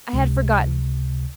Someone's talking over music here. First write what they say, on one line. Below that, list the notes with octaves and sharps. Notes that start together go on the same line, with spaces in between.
I had forgotten!
C#2 C3